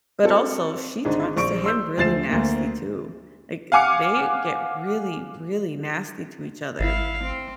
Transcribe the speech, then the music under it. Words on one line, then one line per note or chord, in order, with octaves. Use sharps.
But also, she talks to him really nasty too. Like, they get really, really nasty to each other.
C4 F#4 A4
G#1 D3 G#3 D4 D#4
A#1 C5 C#6 D7
C6 E6 G6
D2 F3 A6 C7 E7
D2 A#3
F5 F#5 G#5 D6 F6 C#7
G#1 E4 F5
C4